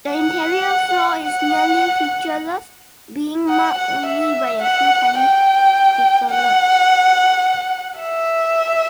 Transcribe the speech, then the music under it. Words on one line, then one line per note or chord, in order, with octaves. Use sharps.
The interior floor is nearly featureless, being marked only by a few tiny craterlets.
F#5
F#5
F#5
F#5
E5
F#5
G5
F#5
E5